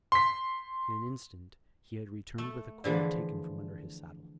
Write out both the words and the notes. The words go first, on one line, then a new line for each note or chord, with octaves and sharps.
In an instant he had returned with a cord taken from under his saddle.
C6 B6
A3
D3 E3 F3 G#4 C5 D5